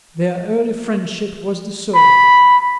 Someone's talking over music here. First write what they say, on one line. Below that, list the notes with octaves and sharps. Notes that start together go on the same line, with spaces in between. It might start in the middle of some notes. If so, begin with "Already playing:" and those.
Their early friendship was dissolved.
B5